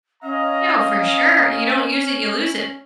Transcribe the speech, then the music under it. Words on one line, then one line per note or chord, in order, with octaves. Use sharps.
Yo, for sure. You don't use it, you lose it.
C#4 D#5 F5 A#5